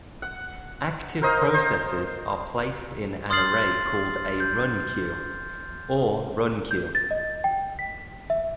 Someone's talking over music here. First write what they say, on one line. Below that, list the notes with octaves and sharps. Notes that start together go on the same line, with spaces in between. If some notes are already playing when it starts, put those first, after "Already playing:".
Active processes are placed in an array called a run queue, or runqueue.
F#5
A#4 C5 D#5 F5
C5
C6 D#6 F6 A6 C7 F#7
G6
G6
A6
D#5
G5
B6
E5